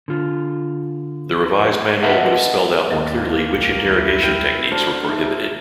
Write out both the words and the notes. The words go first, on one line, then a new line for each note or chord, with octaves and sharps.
The revised manual would have spelled out more clearly which interrogation techniques were prohibited.
D3 F4
A#4 B4 D#5 E5 F#5 A5
D#2 A#3 D#5 A6
C2 G3
D#2 E4
G5 F6 G6
A3 D4 F#4 C5 A5 F6
D#4 E5